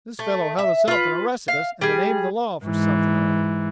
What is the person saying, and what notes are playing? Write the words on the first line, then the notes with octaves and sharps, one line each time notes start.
This fellow held us up and arrested us in the name of the law for something-or-other.
A3
E5
F4 B4
F5
G3 G#4
G#2 E3